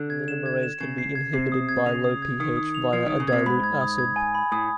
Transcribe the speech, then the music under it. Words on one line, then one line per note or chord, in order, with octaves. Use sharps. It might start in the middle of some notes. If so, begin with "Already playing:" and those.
Linamarase can be inhibited by low pH via a dilute acid.
Already playing: D3
G#6
E7
G#6
E7
C#3 G#6
C7
G#6
C3 C7
D#6
G#6
C#3 F7
D#6
G#6
D#3 D#6
D#6
F7
F3 G#6
D#3 D#6
C#3
C3 G#6
G#2 B5
G#6
D#6
G#6
G#5
B5
A2 D#6